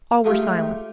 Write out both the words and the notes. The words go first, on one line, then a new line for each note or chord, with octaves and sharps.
All were silent.
G#3 A3 D#4 F4 G4